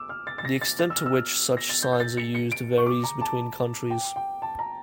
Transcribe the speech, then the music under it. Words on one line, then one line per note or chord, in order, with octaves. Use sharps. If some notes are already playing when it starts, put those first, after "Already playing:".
The extent to which such signs are used varies between countries.
Already playing: D6 E6
F6
A6
A6
A#6
A6
A6
E6
F6
E6
F6
A#6
A6
G6
G6
A6
C#7
C#7
D7
C#6
D6
A#5
A5
G5
G5
A5
A#5